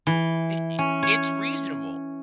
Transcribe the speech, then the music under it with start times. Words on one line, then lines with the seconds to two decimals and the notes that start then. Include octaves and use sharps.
It's i it's reasonable,
0.07 E3
0.79 C#4
1.03 C#5